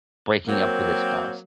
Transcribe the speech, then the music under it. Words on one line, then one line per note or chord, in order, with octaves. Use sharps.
breaking up with a spouse.
F#3 A#3 C4